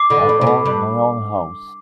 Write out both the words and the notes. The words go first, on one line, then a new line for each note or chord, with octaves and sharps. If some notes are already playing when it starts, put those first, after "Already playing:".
I own my own house.
Already playing: D6 C7
A2 D3
A2
C3
A2
G2